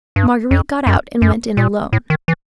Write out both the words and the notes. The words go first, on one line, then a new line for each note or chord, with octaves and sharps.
Marguerite got out and went in alone.
G2
F2
F#2
F#2
A#2
A2
D#3
E3